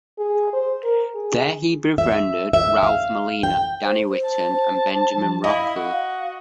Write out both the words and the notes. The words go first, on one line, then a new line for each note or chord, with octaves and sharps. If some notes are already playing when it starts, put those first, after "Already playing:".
There, he befriended Ralph Molina, Danny Whitten and Benjamin Rocco.
G#4
C5
A#4
G#4
E5
E5
F5
G5
C5
A5
F3
E4 D#5 F5
F#4